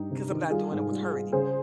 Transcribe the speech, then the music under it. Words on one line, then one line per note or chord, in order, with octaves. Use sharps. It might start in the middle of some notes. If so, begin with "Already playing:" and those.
'cause I'm not doing it with her anymore,
Already playing: G2 D#4 G4
C3
D#3
G3 F4 G#4
G#2
G3
G3
C#3 G#4 C5